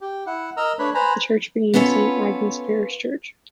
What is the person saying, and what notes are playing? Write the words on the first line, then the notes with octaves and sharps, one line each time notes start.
The church became Saint Agnes Parish Church.
G4
E4 F#5
A#4 D#5 A#5 E6
A3 D4 B4 C#5 B5
B4 C5 G#5 A#5 B5
B3 C#4 F4 A4 B4 C#5